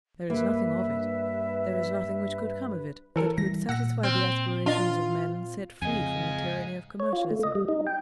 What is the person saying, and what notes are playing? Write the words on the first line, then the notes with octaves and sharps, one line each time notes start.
There is nothing of it--there is nothing which could come of it that could satisfy the aspirations of men set free from the tyranny of commercialism.
G2 A#3 B4 E5
E3 A4 A#4
E3 G3 A#6
A#2 F#5 E6 A#6
C4 F6 G6
D4 F4 D#5
F2 G#2 C#3 D#5 G#5
C#5
F4
A3
D#5
G3
D#4
G5